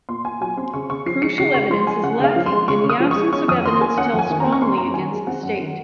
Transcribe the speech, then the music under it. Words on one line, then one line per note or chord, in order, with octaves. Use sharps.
Crucial evidence is lacking and the absence of evidence tells strongly against the State.
A#2 C6
A#2 G#5
F#3 G#5
C4 C6
C#3 C#6
C#3 C#6
F3 C7
G#3 C#7
C#3 C7
C#3 C#6
F3 C6
G#3 G#5
C#3 F#5
C#3 F5
F3
C6
G#3
C#3 C#6
C#3
D#6
F3
G#3 C#6
C#4 C#6
F2 D#6
D#3 C6
A#3 G#5
C#4 F#5
F2
G#5
D#3
A#5
A#3
C#6
C4 C6
F#2 A#5
D#3 G#5
G#3
C4 F#5
F#2
D#3